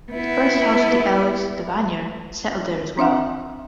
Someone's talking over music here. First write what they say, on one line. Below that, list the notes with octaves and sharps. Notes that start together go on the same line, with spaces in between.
The first house of the Elves, the Vanyar, settled there as well.
B3 E4
C4 D4 E5 F#5